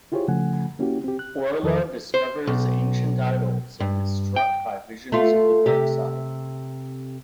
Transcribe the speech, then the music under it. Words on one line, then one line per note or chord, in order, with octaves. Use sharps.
Orla discovers ancient idols and is struck by visions of the dark side.
E4 F4 G4 G#4 C5 C#5
C#3 F3 A3 F#5 G#5
A#3 C#4 E4 F#4 G4
C4 G4
F#6
E2 D#3 F3 A4 A#4 D#5
C5
B1
G2
G5
A3 F4
C3 G4